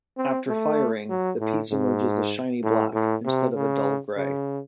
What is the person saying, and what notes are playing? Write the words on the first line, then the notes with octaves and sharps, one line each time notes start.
After firing, the piece emerges a shiny black instead of a dull gray.
C4
A3
F#3
A2
G#2
A2
A2
C3
C#3
C#3